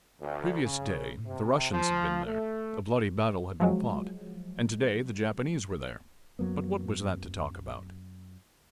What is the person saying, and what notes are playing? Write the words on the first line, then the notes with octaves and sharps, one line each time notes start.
The previous day the Russians had been there, a bloody battle had been fought, and to-day the Japanese were there--but what was that to talk about?
D2
C#3
C3
F3
A3
F3 F#3 G#3
F#2 F#3 A#3 B3